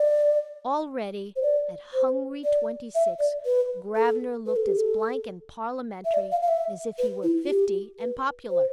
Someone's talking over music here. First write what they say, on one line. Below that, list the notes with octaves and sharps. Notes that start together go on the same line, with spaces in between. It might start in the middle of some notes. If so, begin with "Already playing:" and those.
Already, at hungry twenty-six, Gravener looked as blank and parliamentary as if he were fifty and popular.
Already playing: D5
C5
D5
C5
D5
E5
D5
B4
A4
B4
A4
G4
A4
E5
D5
F5
F5
E5
B4
E4
F4
G4
B4
C5